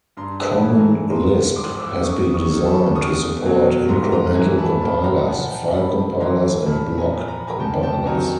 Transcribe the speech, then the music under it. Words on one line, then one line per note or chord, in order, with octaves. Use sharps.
Common Lisp has been designed to support incremental compilers, file compilers and block compilers.
G2 A#5 C6
A5 B5
E3
G#5 A#5
G#2 A#5 C6
F3 C6 D6
D6 E6
F#2 C#6 D#6
C#6 D#6
D#3 F#3
A5 B5
E2 C#6 D#6
B2 F#3
G#2 A#5 C6
A#5 C6
E3 G#5 A#5
A5 B5
A#2 A5 B5
A#5 C6
A5
F3 F#5 G#5
G5 A5
G2 A5 B5
E3 A#5 C6
A#2 A5 B5
G#5 A#5
F3
A#5
B5
G#5 A#5
F2 G5 A5
G5 A5
C3 D#3 F#3 G#5 A#5